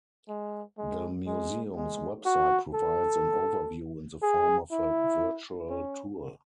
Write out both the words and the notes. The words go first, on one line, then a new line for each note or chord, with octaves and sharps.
The museum's website provides an overview in the form of a virtual tour.
G#3
G#3
G#3
G#3
F#4
A4
G#4
E4
C#4